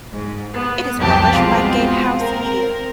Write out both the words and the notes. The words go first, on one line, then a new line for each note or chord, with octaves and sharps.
It is published by GateHouse Media.
G#2
B3
C2 F2 E3 F#3 G4 A5
B2 E3 G#3 C4 F4
C4 A#4